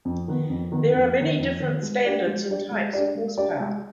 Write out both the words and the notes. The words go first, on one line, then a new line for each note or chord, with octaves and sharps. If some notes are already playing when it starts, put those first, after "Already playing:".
There are many different standards and types of horsepower.
F2
D#3 B3
F2
D#3 B3
F2
D#3 B3
F2
D#3 B3
G#3
D4 G4 D5
G#3
D4 G4 D5
G#3
D4 G4 D5
G#3
D4 G4 D5
G#3